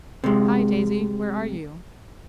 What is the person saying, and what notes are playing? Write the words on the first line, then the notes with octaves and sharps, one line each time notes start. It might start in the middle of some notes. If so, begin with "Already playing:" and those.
"Hi, Daisy! where are you?"
C3 G#3